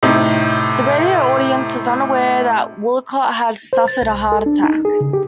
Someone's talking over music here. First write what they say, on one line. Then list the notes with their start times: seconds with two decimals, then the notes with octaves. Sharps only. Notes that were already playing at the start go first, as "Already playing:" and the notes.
The radio audience was unaware that Woollcott had suffered a heart attack.
0.03 A2 C3 D#4
3.73 C5
3.88 A6
4.02 C2
4.32 A4
4.46 D4
4.63 D#4
4.85 G#4
5.00 C#3
5.13 G4